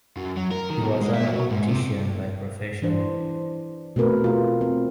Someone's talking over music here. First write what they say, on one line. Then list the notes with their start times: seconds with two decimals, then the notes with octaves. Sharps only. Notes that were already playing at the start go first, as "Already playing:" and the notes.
He was an optician by profession.
0.17 F#2
0.37 F#3
0.51 A#4
0.70 D#3
0.84 B2
1.02 G#3
1.15 E5
1.27 F#3
1.50 G#2
1.69 C3
2.82 E3 D4 C5
3.96 B2 A3 C4 A#4 B4
4.24 F4 G#4
4.61 C4